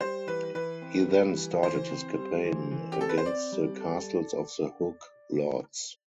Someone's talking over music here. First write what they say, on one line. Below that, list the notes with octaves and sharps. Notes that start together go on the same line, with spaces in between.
He then started his campaign against the castles of the Hook lords.
G3 C5
E3 B4
E3 B4
C4
G3
E3
E3 C5
C4
G3
E3
E3
G4
C4 A4
B4
C5
C4 D5
G3
A4